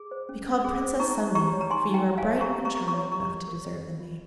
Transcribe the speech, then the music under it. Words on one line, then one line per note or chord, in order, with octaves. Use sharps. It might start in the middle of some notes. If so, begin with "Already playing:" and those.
Be called Princess Sunbeam, for you are bright and charming enough to deserve the name.'
Already playing: G#4
C5
C#4
C#4
G#4
C5
D#4 A#5 C#6
D#4
G4 A#5 C#6
C#5
A#5
D#4 G#5 C6
D#4
G5 A#5
G4
F5 G#5
C#5
G4 A#5 C#6
G4
A#5 C#6
A#4
A#5 C#6
C#5
G4 A#5 C#6
G4
A#4
C#5
C5
F4